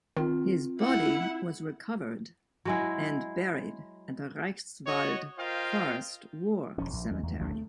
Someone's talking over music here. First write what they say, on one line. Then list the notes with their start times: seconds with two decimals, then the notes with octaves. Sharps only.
His body was recovered and buried at the Reichswald Forest War Cemetery.
0.17 D#3 C4 F4
0.82 E4 F#5
2.65 F#3 G#3 E4
4.87 F#4 C#5 D#5
5.39 F4 A#4 C5 D#5 F5 G5
6.78 E1 F3 C#4
6.93 A#1
7.11 E2 G#3
7.23 E2 G2
7.39 A1 D2 F3 D4
7.52 A3